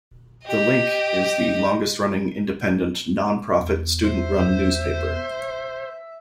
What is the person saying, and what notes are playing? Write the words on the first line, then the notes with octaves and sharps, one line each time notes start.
"The Link" is the longest-running independent, non-profit, student-run newspaper.
G4 D#5
E2
C5 E5